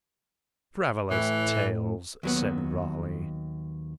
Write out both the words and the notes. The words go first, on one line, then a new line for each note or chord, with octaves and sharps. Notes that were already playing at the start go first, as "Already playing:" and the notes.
"Travellers' tales," said Raleigh.
A2 E3
D#2 F#3 B3